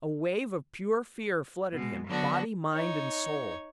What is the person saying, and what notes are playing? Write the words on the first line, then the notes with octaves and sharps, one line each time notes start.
A wave of pure fear flooded him, body, mind, and soul.
B2 G#3
D3 F#3 B3 D4 F#4
D#4 C#5